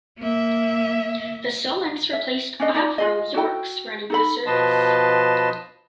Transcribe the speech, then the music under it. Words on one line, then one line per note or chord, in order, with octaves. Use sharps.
The Solents replaced Avro Yorks running the service.
A#3 E5
E5
C#4 D4 D#5
D#4 D5 A5
F4 G#4 D#5
F#4 A4 G5
D#4 A4 B5
B2 F3 B4 D#5 A5 C6